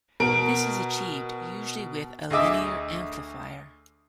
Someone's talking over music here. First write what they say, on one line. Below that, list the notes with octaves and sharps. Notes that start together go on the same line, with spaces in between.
This is achieved, usually, with a linear amplifier.
B2 A#4 D7
D2 G#4 D#5 E5 D6 E6